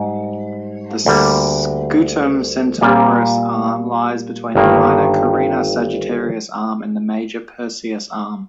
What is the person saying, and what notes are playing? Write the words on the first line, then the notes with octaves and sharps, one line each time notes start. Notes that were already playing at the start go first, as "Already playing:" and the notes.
The Scutum-Centaurus Arm lies between the minor Carina-Sagittarius Arm and the major Perseus Arm.
Already playing: G#2 G3
D2 D3 G3 A#3
A#2 G3 A#3 F4
G1 G2 D#3 A#3